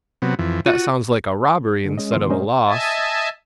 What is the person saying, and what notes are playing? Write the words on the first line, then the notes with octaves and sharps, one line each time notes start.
"That sounds like a robbery instead of a loss."
C3 F#3 B3
F2 E3
F4 F#4
D3 G#3
G#3 C#4 D#5
C2 D#3 F3 B3 C6
A#2 G#3 C#4 D4 C5 D#5
D#5 E5 G#5 A5